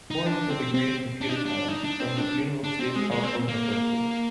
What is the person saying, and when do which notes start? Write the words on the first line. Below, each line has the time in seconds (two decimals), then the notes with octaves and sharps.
Moore has a degree in computer science from the University of California, Berkeley.
0.11 D#4
0.26 D4
0.50 C4
0.74 C4
1.21 D4
1.29 D#4
1.35 D4
1.46 D4
1.68 D#4
1.84 D4
2.00 C4
2.17 D4
2.64 D4
2.79 C4
2.96 G#3
3.11 G#3
3.24 C4
3.48 A#3